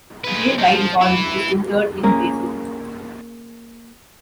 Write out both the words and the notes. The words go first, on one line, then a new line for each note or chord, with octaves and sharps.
J. Wright Gordon is interred in Brazil.
G#3 B4
F3 D#4
F3
E3 E4
A#3 C#4 G#4 A#4